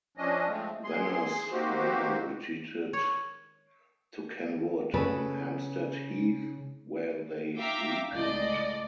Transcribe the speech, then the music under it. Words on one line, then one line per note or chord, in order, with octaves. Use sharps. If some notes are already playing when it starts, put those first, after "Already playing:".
Venner’s men retreated to Ken Wood on Hampstead Heath where they regrouped.
F3 C#4 D4 D#5
F3 G#3 A3 C4
G#4 C6
A#3 C4 D#4 F#4 G4 C5
C#5
C#3 A4 B4
E5 F5 G5 A#5 D6 E6
C#2 A2 D5 D#5